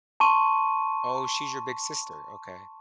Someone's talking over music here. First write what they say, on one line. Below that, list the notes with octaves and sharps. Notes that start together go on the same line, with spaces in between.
Oh, she's your big sister, okay.
A5 C6 C#6 D#7